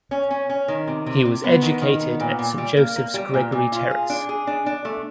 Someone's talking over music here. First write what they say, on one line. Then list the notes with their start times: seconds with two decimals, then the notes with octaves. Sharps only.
He was educated at St Joseph’s Gregory Terrace.
0.11 C#4
0.31 C#4
0.50 C#4
0.68 D#3
0.87 C3
1.06 C3
1.25 C3
1.44 B3
1.62 D#3
1.82 D#3
2.01 B3
2.20 A#2
2.39 A#2
2.58 G3
2.77 A#3
2.96 A#3
3.14 G3
3.34 A#2
3.52 A#2
3.72 F4
3.91 G#4
4.10 D4
4.29 G#4
4.47 D4
4.66 D4
4.85 A3